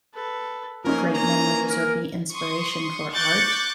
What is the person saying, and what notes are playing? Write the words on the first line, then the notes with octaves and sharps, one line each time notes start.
great memories or be inspiration for art.
A4 B4
F3 A#3 C#4 D#4 A#4 G#5
A#5
A#4
C6 C#6 D#6
C#6 D6 F#6 G6 A6 C#7